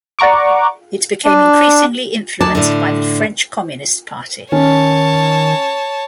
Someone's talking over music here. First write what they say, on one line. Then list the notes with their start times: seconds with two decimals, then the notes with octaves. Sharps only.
It became increasingly influenced by the French Communist Party.
0.19 D5 F#5 A#5 C#6 D6
1.25 D4
2.41 D2 F#3 D5 A5
2.55 A2 D3
4.52 D#3 C#4 C#5 A5